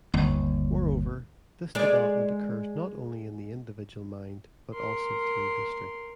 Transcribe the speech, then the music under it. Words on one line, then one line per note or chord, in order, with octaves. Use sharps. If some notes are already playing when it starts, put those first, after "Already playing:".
Moreover, this development occurs not only in the individual mind, but also through history.
G1 D#2
G#3 D5
A#4 C6